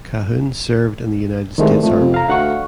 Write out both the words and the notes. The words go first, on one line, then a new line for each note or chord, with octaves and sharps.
Cahoon served in the United States Army.
C2 D#3 G#3 A3
F2 A3
C3
F5 A#5
D2 F5 F#5 C#6